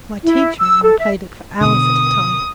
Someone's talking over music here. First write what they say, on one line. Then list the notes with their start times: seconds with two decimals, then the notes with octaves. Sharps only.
My teacher and I played it for hours at a time.
0.23 E4
0.59 E6
0.83 A4
0.99 E5
1.61 B2 D3 D#6